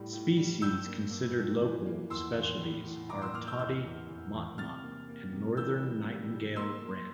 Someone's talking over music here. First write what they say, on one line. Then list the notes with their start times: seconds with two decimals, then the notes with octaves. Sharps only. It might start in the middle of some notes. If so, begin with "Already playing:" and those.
Species considered local specialties are tody motmot and northern nightingale-wren.
Already playing: A2 G3
0.13 A2
0.37 G3
0.62 G2 E6 G6
0.86 A#3
1.11 A#3
1.37 F3
1.61 E3
1.86 A#3
2.10 E2 C6 E6
2.36 E2
2.60 A2
2.84 A2
3.09 A2 A#5 D6
3.22 C6 E6
3.34 A#3 D6 F6
3.47 E6 G6
3.59 E2 E6 G6
3.84 E2
4.09 E2
4.34 E2
4.58 C3 F6 A6
4.84 A#3
5.08 A#3
5.33 C3
5.57 E3 E6 G6
5.82 G3
6.08 G3
6.32 G3
6.56 A#3 C6 E6
6.81 A#3